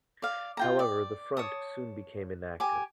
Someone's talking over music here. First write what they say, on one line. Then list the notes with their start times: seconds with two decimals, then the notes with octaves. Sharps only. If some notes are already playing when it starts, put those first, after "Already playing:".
However, the front soon became inactive.
0.22 D5 F5
0.57 F4 G5 A#5
0.79 D5
1.37 C#5 A5 D#6
2.60 G4 G#5 D6